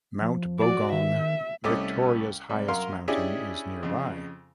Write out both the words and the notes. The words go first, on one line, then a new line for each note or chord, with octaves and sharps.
Mount Bogong, Victoria's highest mountain, is nearby.
F3
F#4 D5
D#3 E5
C2 A3 C#4 D#5 D6
C3 G3
F#2 A#4 F5 C6
C#4 D4 E4 G4 G#4 D#5
F2 C#3